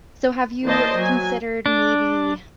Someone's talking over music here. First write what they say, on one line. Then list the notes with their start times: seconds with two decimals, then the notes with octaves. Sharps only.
so, have you considered, maybe,
0.65 E3 A#3 C5 D5 D#5 A5
0.95 F#3 G#5
1.66 D4